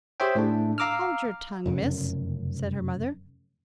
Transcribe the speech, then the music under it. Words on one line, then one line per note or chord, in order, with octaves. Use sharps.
"Hold your tongue, miss!" said her mother.
G4 G#4 C5 C#5 E5 G5
A2 A3 D4
F5 A#5 D6 E6 F6
F1 F#2 C#3